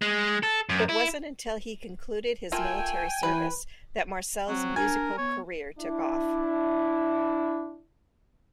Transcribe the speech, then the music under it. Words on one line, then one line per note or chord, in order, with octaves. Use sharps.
It wasn't until he concluded his military service that Marcel's musical career took off.
G#3
A4
F#2
E4
A3 A#3 F4 G5 G#5
E3 B4
F#3 C4
D4 A#4 G#5
B3 C#5
D4 E4